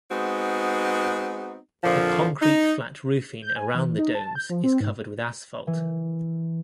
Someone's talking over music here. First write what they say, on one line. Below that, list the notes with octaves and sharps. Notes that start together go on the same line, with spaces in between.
The concrete flat roofing around the domes is covered with asphalt.
G#3 B3 C4 D#4 F#4
F2 A#2 D3 F3
D#4
G6
G#5
E3
D#4
A5
G6
F3
C4
G#2
E3